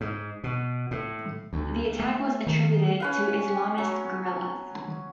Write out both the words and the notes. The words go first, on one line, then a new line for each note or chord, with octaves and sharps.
The attack was attributed to Islamist guerrillas.
G#2
B2
A2
D2
A3
D#3
C#4 B4 F5
F#3